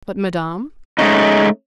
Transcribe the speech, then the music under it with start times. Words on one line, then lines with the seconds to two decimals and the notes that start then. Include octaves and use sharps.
"But Madame?"
0.98 G#3 A3 C#4 D#4